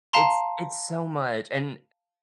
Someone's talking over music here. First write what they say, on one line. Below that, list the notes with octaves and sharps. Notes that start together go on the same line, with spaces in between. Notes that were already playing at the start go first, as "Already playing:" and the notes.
It's it's so much, and,
F5 A5 A#5 C6